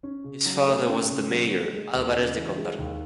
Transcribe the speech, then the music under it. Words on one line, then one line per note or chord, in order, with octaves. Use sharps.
His father was the Mayor Álvarez de Condarco.
C#4
C#3
F#3
A3
C#4
C#3
F#3
A3
G#3
D#2
C#3
E3
G#3
D#2